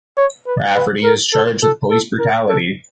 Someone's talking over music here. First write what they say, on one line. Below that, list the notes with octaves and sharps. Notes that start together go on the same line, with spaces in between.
Rafferty is charged with police brutality.
C#5
B4
B4
A#4
A4
A4
A4
A#4
A4